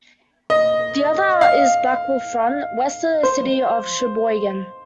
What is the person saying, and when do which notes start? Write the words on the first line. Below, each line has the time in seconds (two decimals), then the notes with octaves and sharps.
The other is Blackwolf Run, west of the city of Sheboygan.
0.50 D#5
1.41 F5
3.23 C5